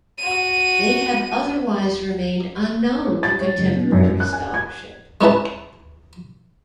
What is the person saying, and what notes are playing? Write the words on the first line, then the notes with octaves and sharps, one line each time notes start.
They have otherwise remained unknown to contemporary scholarship.
F#4 D#7
C#5
A6
C#5
F#1
B2
F#2
F#2
F#6
G#5
G#6
G#3 C#4 E4 B4 A5